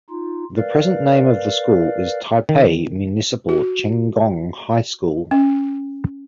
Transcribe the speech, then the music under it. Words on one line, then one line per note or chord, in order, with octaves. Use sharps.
The present name of the school is Taipei Municipal Chenggong High School.
D#4 F4
A#4 B4 D5 F5
D#3
F#4
C#4